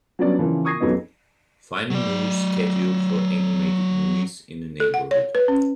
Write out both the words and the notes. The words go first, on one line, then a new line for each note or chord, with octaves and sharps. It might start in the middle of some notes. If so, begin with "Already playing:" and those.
Find the movie schedule for animated movies in the neighborhood.
F#3 G3 B3 C#4 D4 D5
C#3 E3 F3 A#3
C#6 D#6 G#6 A#6 C7
F2 F#3 G#3 B3 C#4 D#4
F#3 D5
A4
F#5
C#5
B4
C#4